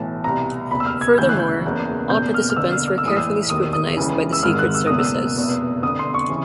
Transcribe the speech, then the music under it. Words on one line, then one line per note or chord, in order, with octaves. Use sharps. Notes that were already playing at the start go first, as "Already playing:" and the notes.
Furthermore, all participants were carefully scrutinized by the secret services.
Already playing: B1 A2 E3 A5
C2 B2 A#5
F#1 E2 B2 B5
E6
F6
G#6
E1 D2 C#3 E3 G6
F#6
G6
F#1 E2 C#3
F#1 E2 B2 G6
F6
F6
G1 F2 D3 E6
F6
F6
E6
A#1 A2 E3 D#6
E6
E1 D#2 D#3 D#6
D#6
C#2 C#3 E3
E6
G#1 G#2 D#3 F6
F#6
E6
F#1 E2 B2 D#6
E6
F1 E2 B2
G1 F2 D3 D#6
C6
C#6
C#3 E3